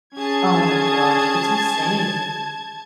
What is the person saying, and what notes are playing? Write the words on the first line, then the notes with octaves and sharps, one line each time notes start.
Oh my gosh. It's insane.
C#4 G#4 A5 G#6